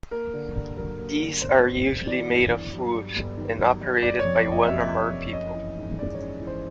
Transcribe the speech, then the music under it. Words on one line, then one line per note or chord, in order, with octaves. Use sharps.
These are usually made of wood, and operated by one or more people.
A#3 A#4
D3
G2
F#3 A#4
A#3
D3
G1 C5
G2
G1
E3 D5
G1
G2
F#3
G2
G1
D#3
F#3
G2
F#1 D5
C#5
F2
D5
F#1
D#5
C3 E5
F#1
F2
C#4 D#5
E3
G#2
G#3 D5
C#5
C#4
E3
C5